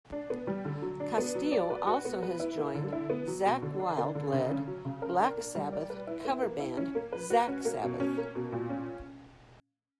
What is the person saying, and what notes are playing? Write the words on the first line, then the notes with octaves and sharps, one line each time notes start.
Castillo also has joined Zakk Wylde-led Black Sabbath cover band Zakk Sabbath.
D4
B3
G3
D3
F#3
D4
B3
F#3
D5
B4
F#4
B3
B4
E4
A#3
D3
E4
B3
F#3
B2
D3
D4
A#3
D3
C#3
C#4
F#3
C#3
A#4
D4
A#3
G3
D5
B4
E4
B3
A#3
E4
C#4
A#3
B4
F#4
C#4
A#3
B2
C#4
A#3
B2
A#2
C#4